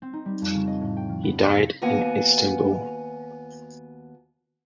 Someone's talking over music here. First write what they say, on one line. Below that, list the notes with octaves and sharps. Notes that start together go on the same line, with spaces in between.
He died in Istanbul.
C4
D#4
G3
F2
C#3
D#5
A2
G5
F3
B3
A#3
C3
D#2 A#3 B3 F#4 F#5 G#5